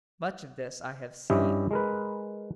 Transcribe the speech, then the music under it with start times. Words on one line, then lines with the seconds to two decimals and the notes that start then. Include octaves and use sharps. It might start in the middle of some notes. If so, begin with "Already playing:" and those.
Much of this I have seen.
1.30 G2 C#4 E4 G4 D#5 E5
1.71 G#3 A#4 B4